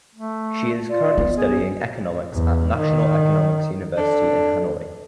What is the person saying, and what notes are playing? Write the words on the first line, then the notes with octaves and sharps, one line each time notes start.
She is currently studying economics at National Economics University in Hanoi.
A3
F4 D5
B3
G#4
E2
D#3
D4 A4